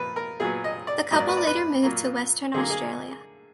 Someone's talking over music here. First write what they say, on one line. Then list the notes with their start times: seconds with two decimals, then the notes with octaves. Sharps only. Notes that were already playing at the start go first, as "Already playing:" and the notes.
The couple later moved to Western Australia.
Already playing: A#2 F3 A#3 B4
0.16 A#4
0.40 A#2 F#3 B3 G#4
0.64 D#5
0.87 D5
1.11 G#2 F#3 A#3 D#5
1.20 D5
1.28 B4
1.37 D5
1.47 B4
1.83 A#2 F#3 A#3
2.54 D3 F#3 A#3 G#4
2.70 G#4